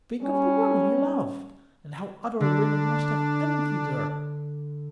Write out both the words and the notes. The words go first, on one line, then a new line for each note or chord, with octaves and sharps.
Think of the woman he loved, and how other women must have envied her!
G3 C#4
D3 D4